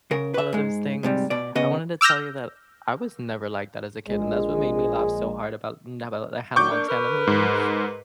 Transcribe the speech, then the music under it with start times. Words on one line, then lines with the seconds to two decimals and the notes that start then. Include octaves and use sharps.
all of those things. I wanted to tell you that I was never like that as a kid, and that's what made me laugh so hard about n about the Hannah Montana movie.
0.11 C#3 A#4
0.34 B4 E5
0.53 G#2 G#3
1.03 G#2 C3 G3
1.30 B2 D5
1.55 C#3 B3 D#5
2.01 D6 E6 F6 G6 A#6
4.09 A#1 G#3
6.56 D#3 F#3 D4 C#6 D6 G6
6.71 A#3 D4
6.88 A#4 B4
7.27 G#2